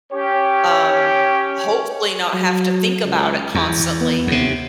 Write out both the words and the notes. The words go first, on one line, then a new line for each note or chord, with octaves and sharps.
um, hopefully not have to think about it constantly,"
C#4 G4 C#5
F#3
C#2
E2
B3
D#2 C3